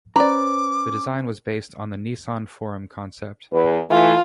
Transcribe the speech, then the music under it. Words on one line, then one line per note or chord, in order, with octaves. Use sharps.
The design was based on the Nissan Forum concept.
C#4 B4 C5 D5 A#5 D6
E2 B4
E3 A3 F4